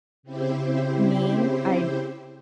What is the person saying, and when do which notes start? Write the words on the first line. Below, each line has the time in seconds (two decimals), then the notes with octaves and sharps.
me, I'd
0.23 C#3 C4 E4 G4 C5